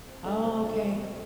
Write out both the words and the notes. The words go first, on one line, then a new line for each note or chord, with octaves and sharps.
Oh, okay.
C3
G3 D4 A4 E5
C3
G3 D4 A4 E5
C3
G3 C4 F#4